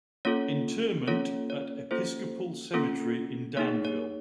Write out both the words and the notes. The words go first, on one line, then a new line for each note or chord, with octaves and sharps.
Interment at Episcopal Cemetery in Danville.
A#3 C#4 F4 A4 C#5
A#3 C#4 F4 A4 C#5
C#5
A#3 C#4 F4 A4 C5
A#3 C#4 F4 A4
A#3 D#4 G#4 C#5
C#5